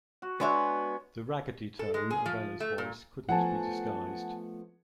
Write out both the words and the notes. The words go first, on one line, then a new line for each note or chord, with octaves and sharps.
The raggedy tone of Ella's voice couldn't be disguised.
F#4
G#3 B3 D4 F#4 C#5 E5
A4
G#3
G#4
F3
A3
A#2
F3 A3 B3 F#5 G#5 A5